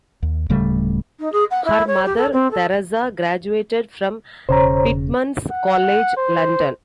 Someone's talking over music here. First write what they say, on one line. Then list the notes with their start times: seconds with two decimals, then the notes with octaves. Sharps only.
Her mother, Therasa, graduated from Pitman's College, London.
0.23 D#2
0.50 D1 C#3 G3 A3
1.19 D#4
1.32 G#4
1.51 F#5
1.64 E4
1.87 C#5
2.05 G4
2.17 A4
2.33 C4
2.51 A4
4.49 E1 C#3 C5 C#5 A#5
5.52 F#5
6.17 C5